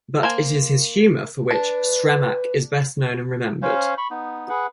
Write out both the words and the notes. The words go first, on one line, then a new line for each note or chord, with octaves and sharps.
But it is his humor for which Sremac is best known and remembered.
A#3 C5 G#5
D4 B4
C#4 C5 C#5 F5
B5 C#6
B3 D#4
G#4 B4 F#5